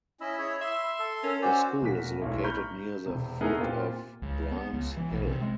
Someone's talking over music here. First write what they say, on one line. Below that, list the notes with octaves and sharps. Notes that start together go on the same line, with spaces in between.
The school is located near the foot of Grymes Hill.
C#4 E4 D#5 B5 E6
E4 G#4 C#5
E5 C6
A4
C#4 A#4
F#4 C5 D5 G#5 E6
E1 A#3 F#4 B6
B1 A2
A#5 B5 C#6 F6 G6
E1 C3
A3 B3 D#4 E4 G#4 A#4
A#2 C4 F4 G4
C#2
B3
C#2
E3
B1
C3
G#3